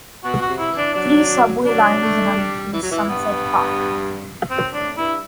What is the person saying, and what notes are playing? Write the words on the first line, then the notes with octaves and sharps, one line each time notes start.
Three subway lines run through Sunset Park.
B2 F#4
F#4
C3
E4
E3
D4
F#3 D4
F#3 D4
A3
G3
E3
F#3
E3
G2 B3
F#2 C4
A2 D4
G2 E4